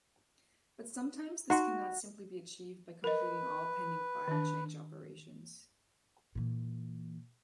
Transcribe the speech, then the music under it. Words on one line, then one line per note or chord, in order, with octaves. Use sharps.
But sometimes, this cannot simply be achieved by completing all pending file change operations.
D#4 F#4 F#5 C6
A#4 B4 D#5
D#3 D4
A#2 E3